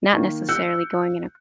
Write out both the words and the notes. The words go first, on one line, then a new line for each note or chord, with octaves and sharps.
not necessarily going in a
D#3 A#3
E6 F#6 G6 C#7